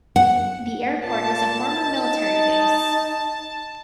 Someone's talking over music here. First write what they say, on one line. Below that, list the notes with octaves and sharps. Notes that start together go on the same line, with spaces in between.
The airport is a former military base.
F#5
A#2 A5
D#4